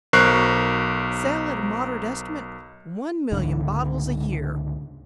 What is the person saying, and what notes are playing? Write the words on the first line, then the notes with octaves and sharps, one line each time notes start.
Sale, at a moderate estimate, one million bottles a year.
B1 A#4 C5 C#6 F#6 C7
C#2 G#2 D3